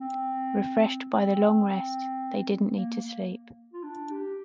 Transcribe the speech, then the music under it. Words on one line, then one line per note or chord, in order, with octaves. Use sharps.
Refreshed by the long rest, they didn’t need to sleep.
C4
C4
A#3
A#3
F4
D4
G4